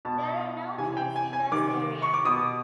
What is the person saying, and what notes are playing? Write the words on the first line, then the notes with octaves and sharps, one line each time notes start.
There are no trees in this area.
B2 A5
C3 E3 G#5
G5
G#5
G#5
C3 D#3 D6
C#6
D6
B2 D#6